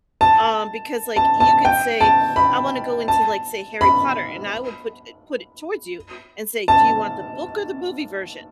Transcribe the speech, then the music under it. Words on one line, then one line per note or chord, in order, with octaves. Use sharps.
um, because like you could say, "I wanna go into like, say Harry Potter," and I will put it put it towards you and say, do you want the book or the movie version?
A5
A5
A5
G5
A5
B5
A5
B5
A5